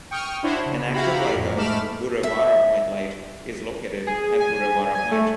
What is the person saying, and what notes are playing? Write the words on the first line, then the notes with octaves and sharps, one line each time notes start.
An active lighthouse, Burrewarra Point Light, is located at Burrewarra Point.
G5 C#6 D#6 F6
D4 E4 F#4 C5 C#5
C#3
E4 F#4 G4 F5 A#5 B5
F2 A2
G#2 A3 B5 D6 F6 E7
E5
G#4
G#5
G#5
A3